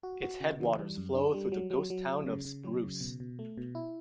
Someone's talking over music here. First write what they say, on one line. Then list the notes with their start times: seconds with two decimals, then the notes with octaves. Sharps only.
Its headwaters flow through the ghost town of Spruce.
0.03 F#4
0.22 F#4
0.41 C#3
0.60 E3
0.79 G3
0.97 F#2
1.15 D4
1.34 G3
1.52 F#3
1.71 F#3
1.90 F#3
2.09 F#3
2.26 C#3
2.45 C#3
2.64 F#3
2.83 C#3
3.01 B2
3.20 B2
3.39 A3
3.58 B2
3.75 E4